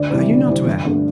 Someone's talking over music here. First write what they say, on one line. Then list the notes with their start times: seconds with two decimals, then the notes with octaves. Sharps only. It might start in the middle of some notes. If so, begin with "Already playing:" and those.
Are you not well?
Already playing: D2 D5
0.10 C3 E3 G3 C4
0.29 D2
0.48 C3 E3 G3 C4
0.67 G1
0.85 G2 D3 A3